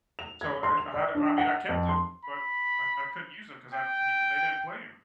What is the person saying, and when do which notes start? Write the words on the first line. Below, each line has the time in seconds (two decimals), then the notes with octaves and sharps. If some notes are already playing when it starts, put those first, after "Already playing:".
So, I I had I mean, I kept him, but I I couldn't use him 'cause I he they didn't play him.
0.19 F7
0.41 G#6
0.63 C6
0.77 F7
0.94 D5
1.15 D4
1.38 F#5
1.69 F2
1.89 C6
2.25 B5
3.74 G5